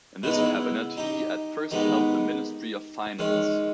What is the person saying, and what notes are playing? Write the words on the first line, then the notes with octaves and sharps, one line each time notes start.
In this cabinet he at first held the ministry of finance.
C#3 G#3 B3 E4
D#4
E4
D#4 G4
D#3 G#3 B3 D#4 G4
D#3 G#3 C#4